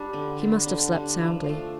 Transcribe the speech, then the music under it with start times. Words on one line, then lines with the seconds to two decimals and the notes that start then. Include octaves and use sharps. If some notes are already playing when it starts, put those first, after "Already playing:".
He must have slept soundly.
Already playing: G3 D4
0.13 D3
0.40 G3 D4
0.66 D3
0.92 G3 D4
1.18 F3
1.44 A3 D4 F4